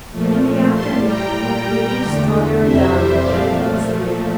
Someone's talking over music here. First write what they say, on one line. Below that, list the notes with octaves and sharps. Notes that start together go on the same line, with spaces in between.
In the afternoon we reached Strawberry Valley and fell asleep.
A#2 F3 A3
A2 G3 A5 C6
G5 A#5
A#2 G3
E2 D3 A3
F2 C3 E3 G3 C5 E5
A#2 F3 A3 D5 F5